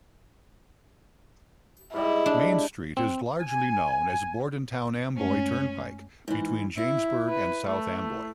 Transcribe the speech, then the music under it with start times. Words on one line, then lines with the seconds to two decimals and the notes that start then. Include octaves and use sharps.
Main Street is largely known as Bordentown-Amboy Turnpike between Jamesburg and South Amboy.
1.94 G#2 G3 E4 D#5
2.26 D4
2.97 C4
3.41 G#5
5.16 F#2 G#3 A3 C#4
6.28 G#2 E3
6.78 E4 E5
7.29 B4
7.66 A3